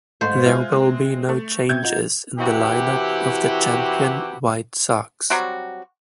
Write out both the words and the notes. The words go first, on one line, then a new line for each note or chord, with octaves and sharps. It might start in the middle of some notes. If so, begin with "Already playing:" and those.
There will be no changes in the lineup of the Champion White Sox.
G#2 A3 C5 F5
G#3 F4 E5 G#5
G#3 C4
A3
C3 G6 G#6
D#4 F4 F#4
C3 E3 E4 F#4 G4
F#3 G3 C4 F#4